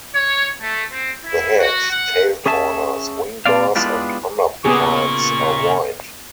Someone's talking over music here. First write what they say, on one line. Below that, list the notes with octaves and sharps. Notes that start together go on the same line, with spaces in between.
The head, tail corners, wing bars and underparts are white.
C#5
A3
C4
E4
F#4
F#5
C#4 G#4 E5 A5
A#2 C4 D5 F5
G#3 B3 D4 E4 F4 G4
A#2 C#3 B3 G4 G#4 C#6